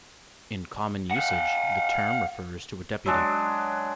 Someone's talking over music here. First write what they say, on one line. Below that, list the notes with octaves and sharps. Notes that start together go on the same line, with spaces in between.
In common usage, the term refers to a deputy.
F5 F#5
F#3 G#3 D4